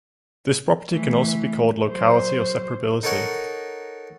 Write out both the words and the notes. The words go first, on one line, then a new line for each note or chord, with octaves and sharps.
This property can also be called locality or separability.
E3 A3
F#3 C5
D#4 A4 A#4 C#5 F#5 D#6